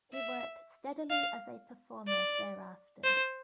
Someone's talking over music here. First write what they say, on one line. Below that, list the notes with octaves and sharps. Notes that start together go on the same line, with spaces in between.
He worked steadily as a performer thereafter.
E5
F5
D5
C5